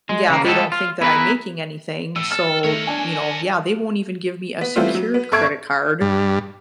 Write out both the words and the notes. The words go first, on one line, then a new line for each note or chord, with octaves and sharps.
Yeah, they don't think that I'm making anything, so, you know, yeah, they won't even give me a secured credit card,
G#3
C#3 A#3
G3 G#3 F#4 G4 A4
F4
B3 E4 G#4 A#4 B4
A2 E6
A4 F6 A6
D#3 A3 A#4 C#5
D4 G#5
B3
E3 G3 A3 B3 C4 F4
F#3
B3
G1 A4 E5 C#6 G#6 D7
G2